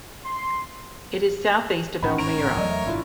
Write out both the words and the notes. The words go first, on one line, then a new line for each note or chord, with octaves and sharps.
It is southeast of Elmira.
C6
G#1 A2 E3 C#4 F#5 A#5 B5
A#4 C#5 D7 F7
F#5
E2 F#3 A3 D5 D#5
E5
G#1 F#2 B2 D4 E4 F4